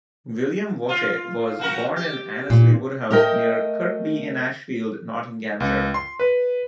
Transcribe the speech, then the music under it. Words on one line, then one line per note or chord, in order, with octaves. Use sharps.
William Voce was born in Annesley Woodhouse, near Kirkby-in-Ashfield, Nottinghamshire.
F4
F3 F#4 A#4
G4
A#2
A3 A#4 D#5 G5
C#2
C6
B4